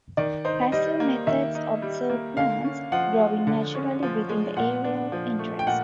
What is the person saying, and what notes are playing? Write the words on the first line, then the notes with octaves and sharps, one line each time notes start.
Passive methods observe plants growing naturally within the area of interest.
D#3 D5
D#4 C5
G3 D#5
A#3
D#3 E5
D#4
G3
A#3
D3 F5
C#4
F3 F#5
G#3
D3
C#4
F3
G#3
A#2 F#5
D4
F3
A3
G5
A#2 F#5